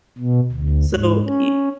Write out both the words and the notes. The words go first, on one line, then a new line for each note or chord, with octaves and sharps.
So, y
B2
D2
G#2
C#4